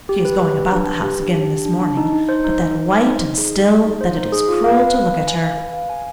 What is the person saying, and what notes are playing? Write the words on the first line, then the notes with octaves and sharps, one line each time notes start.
She is going about the house again this morning, but that white and still that it is cruel to look at her.
G4
B4
G4
B4
D4
B4
G4
D4
G4
D4
D4
D4
D#4
D#4
C5
D#4
D#4
D#4
C5
D#4
D#4
G#4
G#4
G#4
D#4
C5
D#4
G#4
F4
F5
B4
F5
B4
G#5
F5
B4
F5
G#5